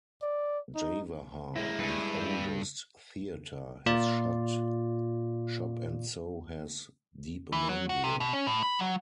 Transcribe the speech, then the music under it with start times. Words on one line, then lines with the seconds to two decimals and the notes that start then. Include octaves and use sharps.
Jawahar, the oldest theatre has shut shop and so has Deepmandir.
0.22 D5
0.75 D#4
1.56 F#2 G#3 A#3 E4
1.79 G2 B4 G#5
3.86 A#2 F4 D5
7.52 E3
7.69 F#3
7.89 F#4
8.04 C3
8.20 B2
8.33 C#4
8.47 A2
8.63 B5
8.79 F#3